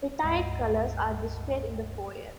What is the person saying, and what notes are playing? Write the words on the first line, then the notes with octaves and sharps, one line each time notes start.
Retired Colours are displayed in the foyer.
C#2 G2 G#3 D#5 F#5 C7